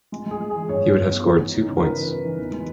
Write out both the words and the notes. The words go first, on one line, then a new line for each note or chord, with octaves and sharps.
He would have scored two points.
G#3
G#3 G#4
G#3
E3 G#4
G2 C#5
G2
G#3
B3
E3
D#4
D#4
C#3
A#4
D#4 B4
E3
D#4
E3
E2
G#3